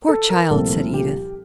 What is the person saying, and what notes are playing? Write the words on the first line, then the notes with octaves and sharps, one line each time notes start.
'Poor child!' said Edith.
A4
A#4
C2 A#2 F3 A3 C4 A4
G4